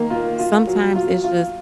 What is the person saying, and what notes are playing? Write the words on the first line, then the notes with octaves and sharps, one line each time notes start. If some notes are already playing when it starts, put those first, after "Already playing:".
sometimes it's just
Already playing: D#3 A#3
F4
F4
F#3
F4
F4